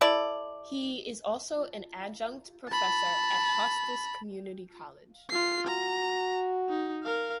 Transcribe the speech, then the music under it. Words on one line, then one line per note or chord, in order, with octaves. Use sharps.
He is also an adjunct professor at Hostos Community College.
E4 A4 D5
A5 B5
F4 C7
F#4 A#5
D#4
A#4 F5